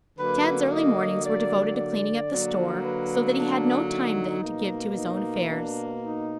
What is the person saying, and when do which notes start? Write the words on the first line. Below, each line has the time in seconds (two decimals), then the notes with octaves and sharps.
Tad's early mornings were devoted to cleaning up the store, so that he had no time then to give to his own affairs.
0.18 D3 F#3 A#3 B4
0.71 D#5
1.24 D5
1.76 D5
2.30 D3 F#3 A#3
2.84 B4
3.36 D4
3.90 D#4
4.42 B2 A#3
4.95 D#4
5.48 D4
6.01 D#4